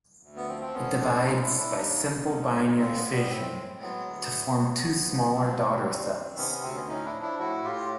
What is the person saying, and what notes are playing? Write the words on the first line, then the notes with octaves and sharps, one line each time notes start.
It divides by simple binary fission to form two smaller daughter cells.
D2
B3
F3 C4
C4
F2 B3 C#4
F2 C4 D4
G#3 C#4 D#4
D4 E4
A2
D4 E4
D#2 D#4
D4
C#4 D#4
D3
G#2
G#3
C#3 C4
B3
G3
B3
A2 C4
G#3
F#3 B3
D2
E2
F#3
G#3
F3
F#3 C4
D#2
G3
D#3
C3 B3 C#4
B3 C#4
D2 C4
B3 C#4
A2 C#4 D#4
D4 E4
F3
D4 E4
A2 E4 F#4
A2 F4 G4